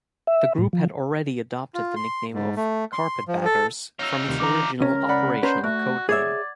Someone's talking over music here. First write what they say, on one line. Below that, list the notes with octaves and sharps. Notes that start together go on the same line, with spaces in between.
The Group had already adopted the nickname of "Carpetbaggers" from its original operational codename.
E5
A2
F3
F4
C6
G#2
A3
C6
F3
A4
D#4 F4 C#5 E6 F6 F7
D2 C3 D#3
E3 D4 A#5 D6
C#2 C#4 A#4
D5 F#5 B5
C#4 B4 C5 A#5
A3 F#4
G#4 C#5 D5 E5 G#6